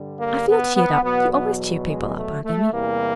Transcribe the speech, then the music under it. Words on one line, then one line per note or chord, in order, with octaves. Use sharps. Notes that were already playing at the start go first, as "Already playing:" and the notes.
I feel cheered up--you always cheer people up, Aunt Emmy.
Already playing: G2 D3 G3
A#3
B3
B3
E2 B2 F#3 B3
B3
G#3
A3
A3
E2 C3 E3 G3 A#3